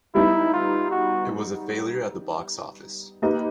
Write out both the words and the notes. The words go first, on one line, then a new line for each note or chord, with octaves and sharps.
It was a failure at the box office.
G3 B3 D#4 E4
F4
F#4
A#3 D#4 G4 B4 D#5